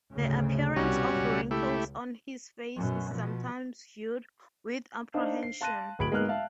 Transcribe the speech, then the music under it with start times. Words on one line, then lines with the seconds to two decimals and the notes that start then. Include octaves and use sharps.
The appearance of wrinkles on his face is sometimes viewed with apprehension.
0.14 D2 G#2 C#3
0.76 C2 B2 G3 C#4 F#4
1.14 C#2
1.51 A3 E4 G4
2.76 F#2 B2
3.12 B2 F3
5.14 D4 D#4 C5 D#5 F5
5.43 C7
5.61 F5 A5 C6 F#6 A#6 D#7
5.99 D1 G#4 B5 G#6 D7 F#7
6.11 G#2 G#3 A#3 B3 F6 F#6
6.28 E5 F5 A5